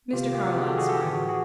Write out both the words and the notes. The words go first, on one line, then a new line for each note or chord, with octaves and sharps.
Mr. Carlyle smiled.
C3 D#3 F4 G4
F4 G4
F#4 G#4
G4 A4
F#4 G#4
G4 A4
A2 E3
F#4 G#4
F#4 G#4